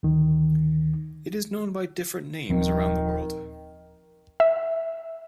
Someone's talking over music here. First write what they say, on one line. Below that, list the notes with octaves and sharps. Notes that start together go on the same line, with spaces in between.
It is known by different names around the world.
D2 D#3
D#1 D#3 F3 C4
E5